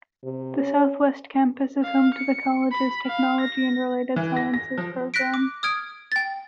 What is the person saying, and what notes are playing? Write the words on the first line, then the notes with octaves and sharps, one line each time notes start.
The Southwest Campus is home to the college's Technology and Related Sciences program.
C3
C#4
F5
C#7
B5
F5
A#6
E3
A#6
A#6
F3
F#6 A#6 B6 D7
D6
D#6 F6 G#6 D7
G5 A6